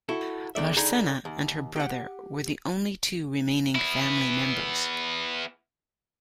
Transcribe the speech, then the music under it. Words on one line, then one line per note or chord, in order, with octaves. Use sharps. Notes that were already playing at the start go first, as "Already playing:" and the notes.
Larcena and her brother were the only two remaining family members.
E4 F#4 A4
E2 G2 D3 D5 E5
D3 D#4 G#4 B5
D#2
G4 F#5
B3 E4